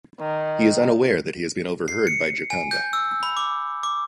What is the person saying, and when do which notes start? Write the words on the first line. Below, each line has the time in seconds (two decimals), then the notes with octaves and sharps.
He is unaware that he has been overheard by Gioconda.
0.20 D#3
1.88 C7
2.07 C#7
2.50 G#5
2.71 G6
2.93 E6
3.23 B5
3.37 D6
3.83 D6